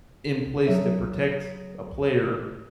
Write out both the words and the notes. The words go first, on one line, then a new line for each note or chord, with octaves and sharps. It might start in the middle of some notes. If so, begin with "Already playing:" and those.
in place to protect a player,
F#3 G#4 A4 C#5 E5